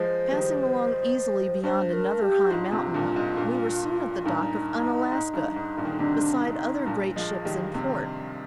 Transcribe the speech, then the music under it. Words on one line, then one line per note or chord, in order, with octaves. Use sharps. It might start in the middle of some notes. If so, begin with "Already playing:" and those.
Passing along easily beyond another high mountain, we were soon at the dock of Unalaska, beside other great ships in port.
Already playing: F3 G#3 C5
D#3 G3
G2 C5
A#4
G4
G#2 F4
G#2 C3
G2 A#2
G#2
G2 A#2
G2 A#2 D#4
G#2
G2
G#2
G2 A#2
D#3
D3
G#2 C3 D4
D#4
G2 A#2
F3 G#3
D#3 G3
C3 D#3